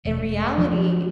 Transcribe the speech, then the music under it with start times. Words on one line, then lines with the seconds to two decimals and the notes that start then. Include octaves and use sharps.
in reality,
0.05 E1
0.58 F3